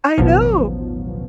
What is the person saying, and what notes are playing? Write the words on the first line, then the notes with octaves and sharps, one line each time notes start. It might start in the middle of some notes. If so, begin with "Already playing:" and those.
I know.
A1 D#2 B2 F3 F#3